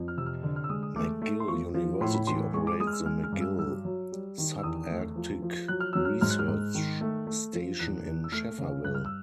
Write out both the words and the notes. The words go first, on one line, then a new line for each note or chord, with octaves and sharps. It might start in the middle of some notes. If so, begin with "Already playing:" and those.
McGill University operates the McGill Subarctic Research Station in Schefferville.
Already playing: F2
F6
C3 E6
F6
D3
F6
E6
G#3 D#6
D#6
A3 D6
A3
C6
F3 C#6
F3
A2 C6
B5
E3 C6
G#3 C#6
D6
G#3 D#6
F6
E6
G#3 F6
F6
G2
E6
F#3 E6
F#3
G3
D#3
E6
E2 D#6
A3
F3
F3
F#3 F#6
F6
F#3 E6
F6
G#2 F6
F#6
F6
G#2
D#3
A3
A3
F3
E2 F#6
E2
E6
A3 F6
C#3
G2 F#6
F6
E6